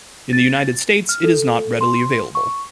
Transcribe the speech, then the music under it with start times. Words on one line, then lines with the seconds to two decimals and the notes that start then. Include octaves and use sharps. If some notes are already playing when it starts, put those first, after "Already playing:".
In the United States it is not readily available.
0.33 A6
1.09 F6
1.24 A4
1.81 C6
2.35 C#6